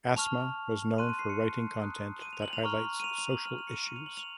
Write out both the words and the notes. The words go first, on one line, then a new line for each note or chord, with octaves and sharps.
Asma was known for writing content that highlights social issues.
A5 C#6 F6 F7
C6 F#6 D#7
D#7
C7
C#7
D#7
A#5 D#6 F#6
D#7
F7
F#7
F7
A#5 C#6 F6
D#7
F7
F7
F#7
A#5 F6 F7
F7
C#7
D#7
D#7
F7
F#7
F7